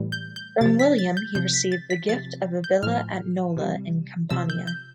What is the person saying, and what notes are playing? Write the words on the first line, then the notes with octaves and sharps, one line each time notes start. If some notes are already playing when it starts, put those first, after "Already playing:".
From William he received the gift of a villa at Nola in Campania.
Already playing: A2 E3 G3
G6
G6
C3 F3 A6
B6
A6
G6
C3 F3 G6
B6
A6
B6
C3 F3 A6
G6
A2 F3 F6
C3 G3
C3 F3 E6
G6
G6